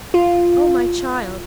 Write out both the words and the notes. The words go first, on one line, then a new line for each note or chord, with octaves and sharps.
Oh, my child!
F4